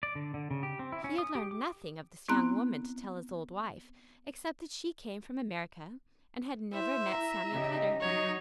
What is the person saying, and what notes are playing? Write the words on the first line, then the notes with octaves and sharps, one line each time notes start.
He had learned nothing of this young woman to tell his old wife, except that she came from America, and had never met Samuel Cutter.
D5
D3
D3
C#3
G4
C4
E4
C#4
D#6
G4
D6
B3 C4 E4 A#5 F#6
E4 C5 E5
A#5
C#3 D#4 G4 D#5
F#3 D#4 F#4 C#5